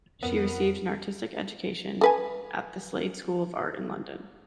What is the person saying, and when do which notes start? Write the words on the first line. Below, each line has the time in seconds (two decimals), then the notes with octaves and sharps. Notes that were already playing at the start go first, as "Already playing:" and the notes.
She received an artistic education at the Slade School of Art in London.
0.23 F2 B3 A#4
2.01 A4 B4 G#5